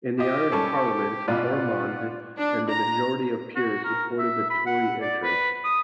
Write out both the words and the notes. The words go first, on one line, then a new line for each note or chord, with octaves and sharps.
In the Irish Parliament Ormonde and the majority of peers supported the Tory interest.
F4 G4 D#5
G3 C#4 A4 A5 C#6
A1 B2 F4 D5 F#5
D4
A#5
F#4
A#4
E5
B5
F#5
D5
B4
D#6